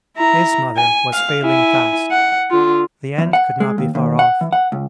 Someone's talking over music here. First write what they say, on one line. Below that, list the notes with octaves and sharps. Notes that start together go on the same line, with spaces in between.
His mother was failing fast; the end could not be far off.
E4 A#5
G#5
F5
E4 G#5
F#5
D3 F4
E2
F#5
G#3
D#2
D#2
F#5
E3
F#5
C#2